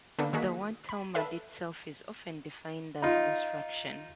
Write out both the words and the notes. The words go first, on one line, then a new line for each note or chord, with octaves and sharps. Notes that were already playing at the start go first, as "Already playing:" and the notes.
The word "Talmud" itself is often defined as "instruction".
D3 A#3 B3 D4
D#3 A#3 F#4 G#4 B6
B5
A4 B4 E5 B5
D#4 F4